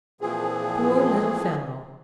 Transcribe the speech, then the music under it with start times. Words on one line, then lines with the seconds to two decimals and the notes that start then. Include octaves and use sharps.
Poor little fellow!
0.21 A#2 E3 F3 C4 G#4